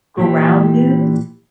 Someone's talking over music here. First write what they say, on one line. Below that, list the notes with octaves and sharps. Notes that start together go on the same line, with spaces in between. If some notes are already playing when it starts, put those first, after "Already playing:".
Ground News?
A#2 E3 G4